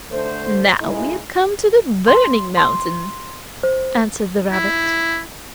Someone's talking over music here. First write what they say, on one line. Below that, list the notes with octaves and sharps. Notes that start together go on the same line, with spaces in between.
"Now we have come to the 'Burning Mountain,'" answered the rabbit.
D3 A3 C5
C#3 G#3 A3 D#4 E4
C6
C6
C5
E4